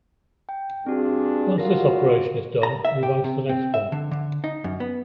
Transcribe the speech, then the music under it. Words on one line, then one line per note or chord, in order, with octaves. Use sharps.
Once this operation is done, move on into the next one.
G5
G2 C4 D4 F#4 G#4
G#2 F4 F#4 A#4 A#6
A#5
E5
G4
C3
C4
E5
D3
D3
D#4
F#2
B3